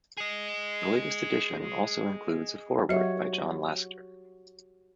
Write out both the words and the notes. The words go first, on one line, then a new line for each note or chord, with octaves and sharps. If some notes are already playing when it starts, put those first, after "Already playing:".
The latest edition also includes a foreword by John Lasseter.
G#4 D#5
F#3 F#4 G4 C#5 E5